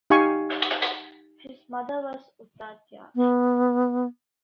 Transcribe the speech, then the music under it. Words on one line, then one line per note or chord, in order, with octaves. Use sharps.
His mother was Utathya.
D#4 G4 F5 G#5 C#6
B3